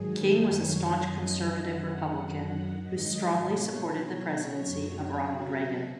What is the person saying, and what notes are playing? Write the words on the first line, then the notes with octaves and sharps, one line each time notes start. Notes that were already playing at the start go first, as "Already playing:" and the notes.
King was a staunch conservative Republican who strongly supported the presidency of Ronald Reagan.
Already playing: G#2 D#3 F#3 G#4
F#2 D#3 F#3 C#5
F#2 D#3 F#3 D#5
F#2 D#3 F#3 F#5
F#2 D#3 F#3
G#2 D#3 F#3 D#5
B2 F#3 C#5
B2 F#3 C#5
F#2 C#3 F#3
B2 F#3 F#4